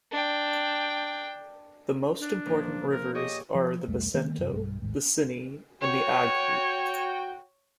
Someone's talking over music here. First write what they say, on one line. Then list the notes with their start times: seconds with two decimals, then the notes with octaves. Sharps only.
The most important rivers are the Basento, the Sinni, and the Agri.
0.11 D4 G5
2.20 D4
2.46 A#2 F3
2.90 A#4
3.15 G4 G#4 C#5 D#5
3.55 F3
3.87 B1 E2 G3 A3
4.14 D#3 G#3 A#3 B3
4.39 F#2 C3
4.53 B1 G2
4.82 A1 D#2 G#2
5.81 F#4 C#5 G5